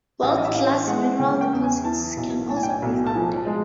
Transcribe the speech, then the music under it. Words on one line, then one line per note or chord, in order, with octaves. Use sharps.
World-class mineral deposits can also be found there.
A1 F5
E5
D#5
E5
E3 F5
G#3 F#5
C#3 G5
G5
E2
G#5
E3 A5
B1
A2 A5
G#5
G5
G#5
B1
A5
F3 G#5
A5
G#3